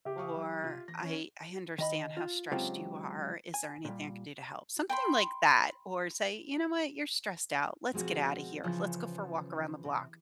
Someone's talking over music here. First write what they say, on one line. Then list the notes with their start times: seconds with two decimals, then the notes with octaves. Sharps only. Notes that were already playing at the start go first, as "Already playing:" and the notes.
or "I I understand how stressed you are. Is there anything I can do to help?" Something like that. Or say, "You know what? You're stressed out. Let's get out of here. Let's go for a walk around the block."
0.05 C#3 G4 E5
0.18 F5 C#6 D#6
0.36 F#3
0.64 C3 F4
0.88 E3 A#6
1.03 C#4
1.78 D#3 D#5 B5
2.17 F4
2.52 C#3 F#3 G#3 C4 F4 G4
3.54 G#5
3.85 A#2 G3
4.89 G5 B5 C6
7.92 B2 F3 G#3 C4 F#4
8.63 C#3 E3 F3
9.84 C3